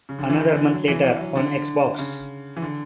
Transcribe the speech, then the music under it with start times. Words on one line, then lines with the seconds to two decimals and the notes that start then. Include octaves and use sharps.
Another month later: on Xbox.
0.09 C#3
0.19 D3
0.30 E3
0.41 E3
0.56 D3
0.72 F#3
0.88 E3
1.03 E3
1.20 F#3
1.35 D3
1.99 C#3
2.56 E3
2.62 D3